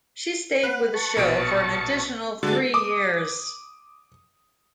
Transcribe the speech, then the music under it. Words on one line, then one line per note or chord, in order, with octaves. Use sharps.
She stayed with the show for an additional three years.
B4 F#5
A5 C#6
A#1 B2 D7
D3 G#3 A3 F#4 A6
D6 D#6